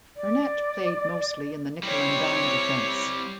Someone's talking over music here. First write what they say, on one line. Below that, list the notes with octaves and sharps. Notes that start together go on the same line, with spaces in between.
Burnett played mostly in the nickel and dime defense.
D5
G3 C4 E4 C#5